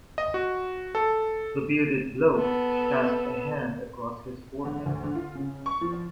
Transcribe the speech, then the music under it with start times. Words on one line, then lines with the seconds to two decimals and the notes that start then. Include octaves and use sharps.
The bearded bloke passed a hand across his forehead.
0.18 D#5
0.34 F#4
0.95 A4
2.36 B3 A4
4.65 D3
4.86 D2
5.03 D3
5.15 F4
5.35 C#3
5.66 C#6
5.81 F3